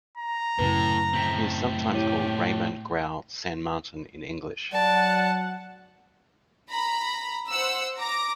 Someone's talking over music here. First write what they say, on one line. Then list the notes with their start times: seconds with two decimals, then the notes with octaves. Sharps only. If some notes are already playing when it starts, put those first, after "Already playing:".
He is sometimes called Raymond Grau San Martin in English.
0.18 A#5
0.59 F#2 A2 C#3 E4 B4
1.13 A2 C4 B6 E7 F#7
1.93 E4 G4 C#5 D#7
4.72 F#3 D5 F#5 A5
6.69 A#5 B5
7.49 C5 F#5 E6
7.98 A#5 D6 A#6